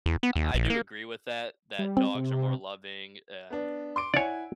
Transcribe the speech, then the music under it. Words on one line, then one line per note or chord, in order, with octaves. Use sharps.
I I do agree with that, that dogs are more loving, and
E2
B3
D#2
A#1
A#3
G3
C4
C3
B3 D4
C6 D6 D7
E4 C#5 D5 F#5 G#5